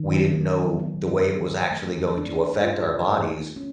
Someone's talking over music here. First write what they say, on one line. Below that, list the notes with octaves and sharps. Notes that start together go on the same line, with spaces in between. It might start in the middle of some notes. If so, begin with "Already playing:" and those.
We didn't know the way it was actually going to affect our bodies
Already playing: D#3
F#3
B3
E3
A3
D4
F4
A3
C#4